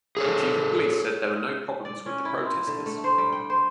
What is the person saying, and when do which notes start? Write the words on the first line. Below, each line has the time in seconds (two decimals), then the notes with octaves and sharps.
The chief of Police said there were no problems with the protesters.
0.17 G#4 A4 C#5
1.85 D5
2.06 C#4
2.25 E4
2.45 C4
2.67 D3
2.86 A3
3.04 C5
3.18 G3
3.32 G5
3.50 C5